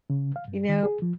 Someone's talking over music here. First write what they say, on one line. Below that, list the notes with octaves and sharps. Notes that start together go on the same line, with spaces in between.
You know
C#3
F5
G2
D#3
G#4
F3